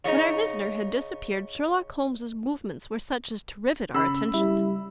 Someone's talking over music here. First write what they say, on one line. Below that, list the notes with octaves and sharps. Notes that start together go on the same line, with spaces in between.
When our visitor had disappeared, Sherlock Holmes's movements were such as to rivet our attention.
C#3 D#4
C#3 B5 E6
G3 E4